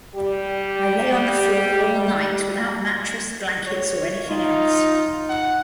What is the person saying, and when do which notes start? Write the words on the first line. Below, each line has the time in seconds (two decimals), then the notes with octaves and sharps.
I lay on the floor all night without mattress, blankets or anything else.
0.15 G3 G4
3.67 C#5
4.29 D#4 F4
5.30 F#5